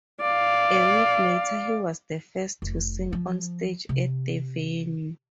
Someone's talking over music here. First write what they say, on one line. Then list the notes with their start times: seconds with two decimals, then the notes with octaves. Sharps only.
A week later he was the first to sing on stage at the venue.
0.21 D5 F5
2.62 F1
3.13 F3
3.89 C3